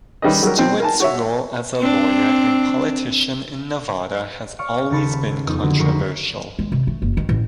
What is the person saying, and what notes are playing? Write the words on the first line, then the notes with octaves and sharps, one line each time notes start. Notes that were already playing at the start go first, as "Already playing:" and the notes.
Stewart's role as a lawyer and politician in Nevada has always been controversial.
D#3 G3 C#4 B4 D#5
F#3 G3 A#4
B2 C4
A#4 G#5 A5
F#4 C#5 E5
C4 D4
C#5 D5 F5 C#6
D#1 C#3 A4 A5 B5 C#7
F2 B3 D#4
D3 F#3 A#3
F1 F#4 A#4 F#5 C#6 B6
G#3
C3
A3
F#1
D#3
A1